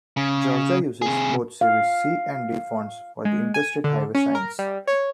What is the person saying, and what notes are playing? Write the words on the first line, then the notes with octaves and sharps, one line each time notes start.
Georgia uses both Series C and D fonts for the Interstate highway signs.
C#3
C3 G#4
F5
G#3
G#5
D3
C#4
A#4
G3
C#5